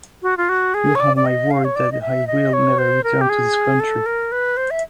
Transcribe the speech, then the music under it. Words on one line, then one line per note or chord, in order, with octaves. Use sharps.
You have my word that I will never return to this country.
F#4
F4
F#4
G#4
C#5
D5
D5
D#5
F5
C#5
D5
D#5
E5
D#5
C#5
C5
A#4
G4
G#4
A4
A#4
B4
C5
E5